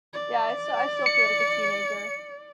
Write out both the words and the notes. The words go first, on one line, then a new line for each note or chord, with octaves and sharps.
Yeah. I still I still feel like a teenager.
D5
C#7